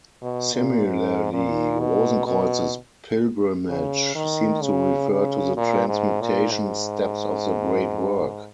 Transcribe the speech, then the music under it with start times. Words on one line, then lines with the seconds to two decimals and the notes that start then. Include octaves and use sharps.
Similarly, Rosenkreuz's pilgrimage seems to refer to the transmutation steps of the Great Work.
0.22 B2
0.53 A#2
0.85 G#2
1.33 A#2
1.80 B2
2.26 B2
3.69 C#3
4.15 D#3
4.62 C#3
5.10 C#3
5.57 A#2
5.88 G#2
6.21 A#2
6.51 G#2